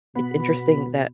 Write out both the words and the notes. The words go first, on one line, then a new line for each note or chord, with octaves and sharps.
it's interesting that
B2 B3 B5